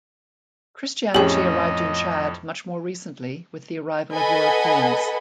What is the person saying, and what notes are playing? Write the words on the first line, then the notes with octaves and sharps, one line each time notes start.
Christianity arrived in Chad much more recently with the arrival of Europeans.
F2 A2 C#4 G4 G#4 D#5 F#7
A4 B4 D#5 F#5 G#5 B5